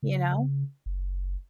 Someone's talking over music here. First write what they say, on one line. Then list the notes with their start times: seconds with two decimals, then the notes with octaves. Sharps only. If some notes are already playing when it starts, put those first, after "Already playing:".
You know?
0.03 C#3
0.86 F#1